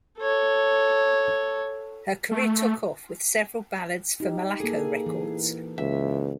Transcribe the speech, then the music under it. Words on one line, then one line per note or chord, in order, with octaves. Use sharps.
Her career took off with several ballads for Malaco Records.
A4 C#5
A3
D#4 G4
A#3 G#4 A4
E3
C#2 E5